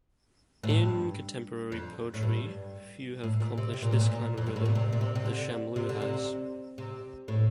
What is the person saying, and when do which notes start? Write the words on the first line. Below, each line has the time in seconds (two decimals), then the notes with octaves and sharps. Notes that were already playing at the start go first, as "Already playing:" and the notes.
In contemporary poetry, few have accomplished this kind of rhythm as Shamlou has.
0.63 A2
0.70 G2
1.72 F2
2.14 A2
2.23 G2
3.24 A2
3.40 A#2
3.58 C3
3.73 C3
3.83 A#2
3.92 A2
4.01 A#2
4.38 F2
4.47 G2
4.56 A2
4.66 A#2
4.75 C3
4.93 A#2
5.01 C3
5.15 C3
5.26 D3
5.76 C3
5.89 D3
6.02 C3
6.78 C3
7.28 A2